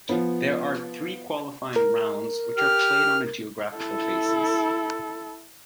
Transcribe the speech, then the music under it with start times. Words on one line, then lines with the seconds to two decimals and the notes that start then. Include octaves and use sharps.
There are three Qualifying rounds, which are played on a geographical basis.
0.09 F3 B3
1.76 A#4
2.57 G4 F6
3.76 E4 A4